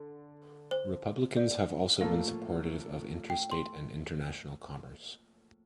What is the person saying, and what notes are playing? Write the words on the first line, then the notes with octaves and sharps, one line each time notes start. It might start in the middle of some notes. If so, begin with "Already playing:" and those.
Republicans have also been supportive of interstate and international commerce.
Already playing: D3
C5
D5
A2 F3 A#3 F4 A4 F5
G5
C6